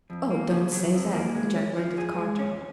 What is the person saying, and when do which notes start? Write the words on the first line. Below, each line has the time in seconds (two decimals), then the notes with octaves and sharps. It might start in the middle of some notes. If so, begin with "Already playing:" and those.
"Oh, don't say that!" ejaculated Carter.
0.10 F2
0.30 A#3
0.52 C#3
0.72 F#3
0.93 F2
1.13 A#3
1.35 G#3
1.55 C#4
1.77 F3
1.98 G#4
2.18 G#3
2.39 C#4